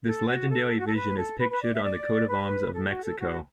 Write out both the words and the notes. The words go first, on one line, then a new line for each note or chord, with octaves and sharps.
This legendary vision is pictured on the Coat of Arms of Mexico.
A4
F#4
A4
F#4
A4
B4
A4
B4
B4
D5
E5
D5
B4
A4
F#4
A4
F#4